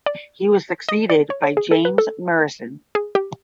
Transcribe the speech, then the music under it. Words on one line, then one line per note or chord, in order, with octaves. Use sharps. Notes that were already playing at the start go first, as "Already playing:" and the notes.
He was succeeded by James Murison.
D5
D#5
D5
C#5
C#5
G#4
A4
B4
A4
G#4
G4